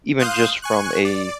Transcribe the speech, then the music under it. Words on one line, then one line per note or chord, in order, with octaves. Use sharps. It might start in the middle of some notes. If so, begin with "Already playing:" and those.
even just from a
F5 C6 D#6 F#6 G6
G#5 C#6 F#6
D5